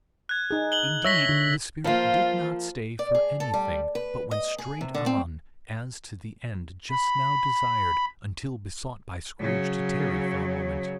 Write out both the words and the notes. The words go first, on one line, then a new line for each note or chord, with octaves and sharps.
Indeed, the Spirit did not stay for anything, but went straight on, as to the end just now desired, until besought by Scrooge to tarry for a moment.
F#6 G#6
D#4 G#4
F#7 G7
C#5 E5 E6 A#6 B6
D3
F3 A#3 F4 C5
D5
G#4
A4
G3
B4
D#5
G#4
C3
D3
C4
B5
C#3 F#3